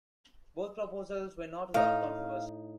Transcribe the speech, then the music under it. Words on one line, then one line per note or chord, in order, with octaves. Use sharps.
Both proposals were not without controversy.
A2 D#4 F5